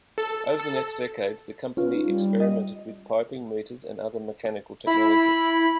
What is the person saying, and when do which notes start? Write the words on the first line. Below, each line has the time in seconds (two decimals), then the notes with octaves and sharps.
Over the next decades the company experimented with piping, meters, and other mechanical technology.
0.18 A4
0.60 A4
1.77 C#4 F4 B4
1.92 D#4
2.07 G3
2.40 D#5
4.87 E4 B5